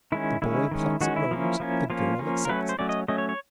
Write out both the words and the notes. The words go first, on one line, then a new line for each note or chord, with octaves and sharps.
The boy plucks a rose: the girl accepts it.
D#3 G#3 C#4 E4
D#3 G#3 C#4 E4
D#3 G#3 C#4
D#3 G#3 C#4 F#4
E4
F3 A#3 C#4
F3 A#3 C#4
F3 A#3 C#4 F4
F3 A#3 C#4
A#4
F#3 A3 C#4 B4
C5
F#3 A3 C#4 D5
D#5
F#3 A3 C#4 D#5
C#5
C#5